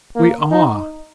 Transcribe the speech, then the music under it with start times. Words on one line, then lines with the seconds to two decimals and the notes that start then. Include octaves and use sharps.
We are.
0.16 A#3
0.51 D#4